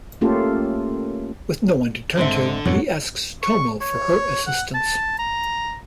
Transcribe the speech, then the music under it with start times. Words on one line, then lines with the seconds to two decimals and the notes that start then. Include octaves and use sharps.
With no one to turn to, he asks Tomoe for her assistance.
0.21 A3 A#3 C#4 F4 G4 A4
2.17 G#2 D3 C4 E5
2.65 F2 G#2 B2 F#3
3.43 C#6
3.81 C#5
4.47 F#5
4.74 A5
5.19 A#5